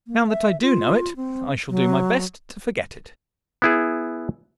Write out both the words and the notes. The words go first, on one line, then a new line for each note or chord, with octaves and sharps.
"Now that I do know it I shall do my best to forget it."
A#3
E5
F4
C4
F#3
B3 E4 G#4